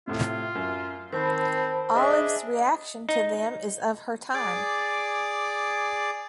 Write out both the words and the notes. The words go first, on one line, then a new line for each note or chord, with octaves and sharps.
Olive’s reaction to them is of her time.
A2 C3 F4
F#2
D#3 C4 C5 A5 B5
D4 G#4 D#5 E5
D#4
G#4 D5 D6